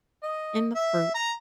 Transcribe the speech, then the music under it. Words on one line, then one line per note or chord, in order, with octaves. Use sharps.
in the fruits,
D#5
E5
A#5